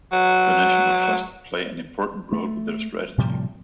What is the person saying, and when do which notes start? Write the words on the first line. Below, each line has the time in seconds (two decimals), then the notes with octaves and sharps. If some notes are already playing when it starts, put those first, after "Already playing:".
The National Trust play an important role with their strategy.
0.12 F#3
2.32 A3
3.18 A2 C3 F3 G3